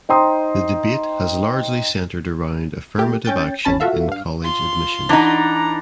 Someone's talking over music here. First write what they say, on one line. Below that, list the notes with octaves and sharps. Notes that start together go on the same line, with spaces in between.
The debate has largely centered around affirmative action in college admissions.
D#4 C5 G5 A#5 C6 D#6
A3 G4
C#4 G5 G6 A6
G#1 C#4 A5 B5
F4 F#4 A4 E5 F5
G2 F5
F4 C6
E3 D4 D#4 F#5 A#5